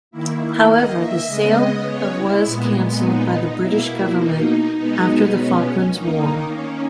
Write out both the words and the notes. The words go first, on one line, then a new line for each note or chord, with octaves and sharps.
However, the sale of was cancelled by the British Government after the Falklands War.
D#3 A#3 E4
D#5
E5
C#3 G#3 B3 D#5
C#5
E4
A#2 G#3 B3
D#4
B2 A#3 E4
D#4
B2 G#3 B3 D#4
C#4
D#3 A#3 D#4
C#4